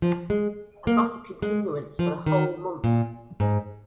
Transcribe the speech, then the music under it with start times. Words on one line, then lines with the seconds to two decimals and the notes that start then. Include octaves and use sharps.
I got a continuance for a whole month.
0.02 F3
0.30 G#3
0.87 A#3
1.42 G#3
1.99 F3
2.26 D#3
2.84 A#2
3.40 G#2